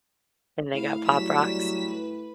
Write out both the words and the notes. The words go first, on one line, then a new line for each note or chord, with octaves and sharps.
And they got Pop Rocks.
A2 F5
F#3 G3 B6 E7
B4